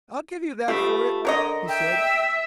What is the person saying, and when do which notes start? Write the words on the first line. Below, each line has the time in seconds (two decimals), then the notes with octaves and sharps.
"I'll give you that for it," he said.
0.68 A3 F4 G4 B4
1.25 D3 A#4 C#5 D#5
1.69 E5 G5